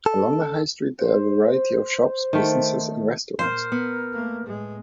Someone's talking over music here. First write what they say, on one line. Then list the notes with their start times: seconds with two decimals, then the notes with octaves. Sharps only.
Along the High Street there are a variety of shops, businesses, and restaurants.
0.06 A4
0.99 C5
2.33 D#3 A3
3.39 A#2 A#4 C5
3.72 B3
4.12 A3 A#3
4.45 A2 G#3